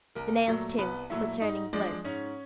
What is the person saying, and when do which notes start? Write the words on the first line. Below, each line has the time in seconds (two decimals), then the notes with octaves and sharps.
The nails, too, were turning blue.
0.15 C2 A#4
0.47 A#2 F#3 A3
0.78 C2 B3 B4
1.10 A#2 F#3 A3 E4 E5
1.41 G#2 D#4 D#5
1.73 F3 G#3 D4 D5
2.04 G#2 C#4 C#5